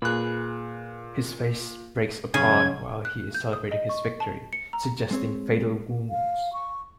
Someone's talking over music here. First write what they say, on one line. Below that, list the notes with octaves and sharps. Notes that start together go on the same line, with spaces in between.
His face breaks apart while he is celebrating his victory, suggesting fatal wounds.
A#2 G#4 B4 F#6
F#2 C#3 C#4 D#4 G#5 G#6
F#6
G6
D#6
D#5
C#6
A5
C#7
A#5
G#3 C4 C#5
F5
C#6